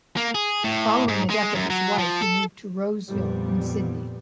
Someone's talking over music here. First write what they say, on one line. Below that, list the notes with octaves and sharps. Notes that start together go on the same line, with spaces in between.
Following the death of his wife he moved to Roseville in Sydney.
A#3
G#4
A2
G#2
G#3
F#2
F#3
F3
A4
F2 A#2 G3 B3